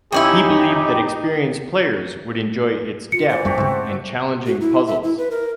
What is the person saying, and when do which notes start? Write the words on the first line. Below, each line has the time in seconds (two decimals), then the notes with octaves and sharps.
He believed that experienced players would enjoy its depth and challenging puzzles.
0.12 F2 C#4 D#4 E4 G4 G5
3.12 F4 C#7
3.29 E3 C5 D5
3.45 F#2 G3 A3 F#4 G4
3.58 G#2 C#3 C4
4.46 F#4
4.60 E4
4.87 E5
5.03 E4
5.18 B4
5.31 A#4